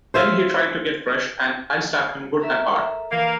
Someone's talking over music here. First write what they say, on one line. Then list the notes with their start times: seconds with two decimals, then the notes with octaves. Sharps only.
Then he tried to get fresh, and I slapped him good and hard.
0.14 C5 E5 F5
2.40 A4 A#4 E5
3.11 E3 A#3